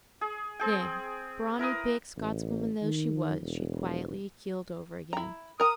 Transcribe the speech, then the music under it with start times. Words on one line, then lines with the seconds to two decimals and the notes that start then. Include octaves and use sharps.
Then, brawny, big Scotswoman though she was, she quietly keeled over again.
0.21 G#4
0.60 C4 G#4 G5
1.59 E4 A#4 B4 D#6
2.16 A1
2.82 D#3
3.42 E1
5.13 E4 A#5
5.60 A#4 A#5 D#6